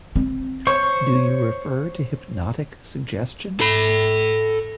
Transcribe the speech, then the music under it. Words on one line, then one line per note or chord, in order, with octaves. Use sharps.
Do you refer to hypnotic suggestion?
C4
C5 C#5 C#6
A4 B5